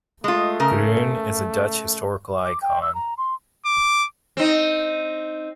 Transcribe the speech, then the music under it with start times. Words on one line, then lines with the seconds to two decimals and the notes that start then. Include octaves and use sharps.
Groen is a Dutch historical icon.
0.24 G#3 A3 F4
0.60 C#3 A#4
2.45 D6
2.62 G5
2.82 E6
2.95 A#5
3.18 C6
3.65 D6
4.37 C4 D#4